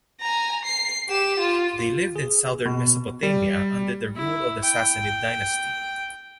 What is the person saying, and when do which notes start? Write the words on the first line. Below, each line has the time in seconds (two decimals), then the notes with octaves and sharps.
They lived in southern Mesopotamia under the rule of the Sassanid dynasty.
0.20 G#5 A#5
0.64 C7
1.08 G4 E7
1.40 F4
1.79 F4
2.16 G#4
2.66 B2
3.23 G3
4.15 E4
4.63 G5